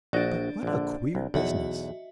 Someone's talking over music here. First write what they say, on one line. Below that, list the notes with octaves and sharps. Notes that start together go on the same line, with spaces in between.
But what a queer business!
A#1 D4 F#4 D5 D#5
A#1 D3
C2
B1 E2 F#4 D#5 E5